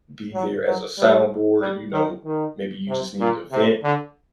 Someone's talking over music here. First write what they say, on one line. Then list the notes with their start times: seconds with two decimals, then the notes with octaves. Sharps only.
be there as a soundboard, you know, maybe you just need to vent.
0.33 F#3
0.66 F#3
0.98 G3
1.61 G3
1.92 D#3
2.25 D#3
2.88 C3
3.19 A#2
3.52 C3
3.83 D3